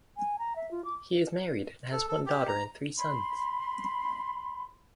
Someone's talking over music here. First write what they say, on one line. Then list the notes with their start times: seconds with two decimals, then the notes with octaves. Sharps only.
He is married and has one daughter and three sons.
0.17 G#5
0.39 A#5
0.56 E5
0.71 F4
0.85 D6
1.92 A4
2.09 A4
2.26 G4
2.48 A#5
2.98 B5 C6